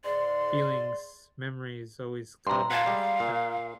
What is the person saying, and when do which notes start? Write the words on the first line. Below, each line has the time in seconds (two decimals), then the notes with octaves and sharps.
feelings, memories always come back, uh,
0.04 G#2 D5 C6
2.47 G2 C3 A#5 C6
2.71 F5 F#5 G#5 A5
2.86 G3 G#3
3.20 A#2